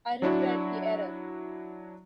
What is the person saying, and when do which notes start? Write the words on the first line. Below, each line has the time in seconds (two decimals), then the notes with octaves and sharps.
I regret the error.
0.22 F#3 D4 E4 F#4